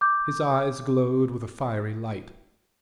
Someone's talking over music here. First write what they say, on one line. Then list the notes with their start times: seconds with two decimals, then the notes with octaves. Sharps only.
His eyes glowed with a fiery light.
0.01 D6 G6